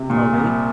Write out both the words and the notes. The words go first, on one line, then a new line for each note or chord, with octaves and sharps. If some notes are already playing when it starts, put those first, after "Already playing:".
Oh, really?
Already playing: C3
A#2
C2